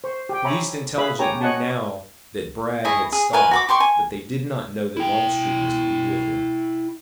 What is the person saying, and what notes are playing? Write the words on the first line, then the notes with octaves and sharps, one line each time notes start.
The least intelligent knew now that Bragg had stopped, but they did not know that Longstreet was to be with him.
C5 C#6
G4 G5
C#5 E5 G#5 A#5 B5 C#6
G#4 B4 E5 F5 B5
C#4 G4 C#5 G5 G#5 A#5
C#5 D#5 F#5 G#5 A5
E4 G#4 C#5 D#5
G#4
A#4 B4 G#5
F#4 B5 D6
G4 C6 C#6
G#5
E4 G5